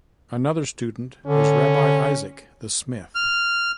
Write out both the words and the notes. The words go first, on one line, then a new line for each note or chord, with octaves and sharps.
Another student was Rabbi Isaac the smith.
D3 C#4
F6